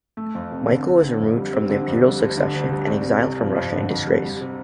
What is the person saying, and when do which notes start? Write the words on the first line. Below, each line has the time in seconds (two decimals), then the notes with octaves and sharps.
Michael was removed from the imperial succession, and exiled from Russia in disgrace.
0.17 A3
0.35 F2
0.52 F1
0.69 D3
0.86 C4
1.02 D3
1.19 F2
1.37 G3
1.53 C4
1.69 D3
1.87 F2
2.04 G3
2.20 D2
2.37 D3
2.54 D2
2.71 G3
2.88 C2
3.06 C3
3.22 C2
3.39 F3
3.55 F2
3.73 D3
3.90 F2
4.06 G3
4.24 G3
4.41 C3